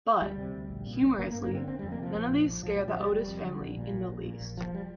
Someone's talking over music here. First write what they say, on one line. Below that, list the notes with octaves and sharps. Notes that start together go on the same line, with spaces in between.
But, humorously, none of these scare the Otis family in the least.
D2 G3
C3
D2
A#1
A#2
A#1
G1 A#3
A#3
G2
A#3
D3 C4
G1 C4
F2 G3
A#3
C3 F3
A#1
A#2
A#1
C2 F3
A#2 G3
F3
C2 G3
F1 G3
F2
D3
A#1
A#2
A#1
A#1
A#2
A#1
F1 F3
G3